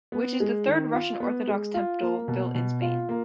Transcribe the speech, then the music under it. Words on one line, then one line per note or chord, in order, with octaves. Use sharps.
Which is the third Russian Orthodox temple built in Spain.
B3
G#3
D#3
F4
B3
G#3
F4
A#3
B2
B2
F4
A#3